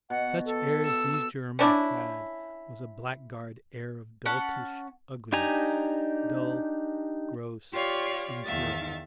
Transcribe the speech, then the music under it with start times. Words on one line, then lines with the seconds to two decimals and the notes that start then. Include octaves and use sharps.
Such air as these Germans had was a blackguard air of doltish ugliness--dull, gross, incurable.
0.10 B2 F#5
0.46 A4
0.85 E6
1.59 C#4 D4 E4
4.26 C#4 F#5 A5
5.33 D4 D#4 G4 G#5 A#5
7.71 F4 G4 C#5 D5 F5
8.44 E2 D#3 D#4 E5 F5 A6